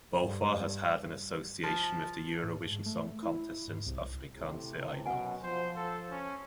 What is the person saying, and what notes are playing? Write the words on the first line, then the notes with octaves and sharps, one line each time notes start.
Botha has had an association with the Eurovision Song Contest since "Afrikaanse Idols".
G2
F3
A2
G#2
A3
E4
G#2
C2
A2 C3
F#2 B2 F#5 G#5
F3 C5
A4
C#4